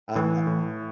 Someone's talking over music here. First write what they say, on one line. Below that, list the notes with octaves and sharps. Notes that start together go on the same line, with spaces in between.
Um, uh
A2 E3
A2